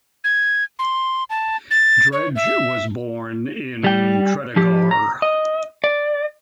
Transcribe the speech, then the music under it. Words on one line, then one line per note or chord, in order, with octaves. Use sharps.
Dredge was born in Tredegar.
G#6
C6
A5
A6
C#5
E5
G3 G5
F3 G4
A#5
D#5
D5